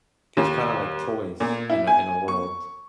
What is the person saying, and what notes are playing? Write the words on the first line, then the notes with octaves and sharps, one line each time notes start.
these kinda, like, toys in a in a world,
D#2
A#2
E4
G#5
C#6